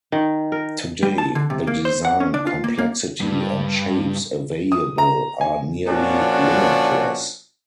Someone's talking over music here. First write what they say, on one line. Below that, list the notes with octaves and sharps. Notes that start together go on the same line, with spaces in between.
Today, the design complexity and shapes available are nearly limitless.
D#3
A#4
G3
A5
D3
C3
A#3
C5
F#5
C#4
D4
F4
A#3
A#3
G2
D#6
A#5
G#5
A#2 F3 C#4 D4 F#4